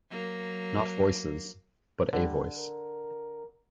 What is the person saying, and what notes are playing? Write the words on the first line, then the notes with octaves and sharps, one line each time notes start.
Not voices — but a voice.
F#3 A#3
D3 G3
A#4